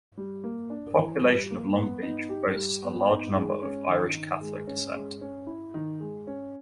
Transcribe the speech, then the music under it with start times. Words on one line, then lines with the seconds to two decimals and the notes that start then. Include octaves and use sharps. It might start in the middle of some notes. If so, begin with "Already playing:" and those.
The population of Long Beach boasts a large number of Irish Catholic descent.
0.17 G3
0.44 A#3
0.70 D4
0.97 E3
1.24 G3
1.50 A#3
1.76 B3
2.02 D#4
2.29 G4
2.55 G3
2.82 B3
3.09 D#4
3.35 G#3
3.62 C#4
3.88 D#3
4.15 D#3
4.41 G#3
4.67 C#4
4.94 G#3
5.21 C#4
5.47 E4
5.74 D#3
6.00 G#3
6.27 C#4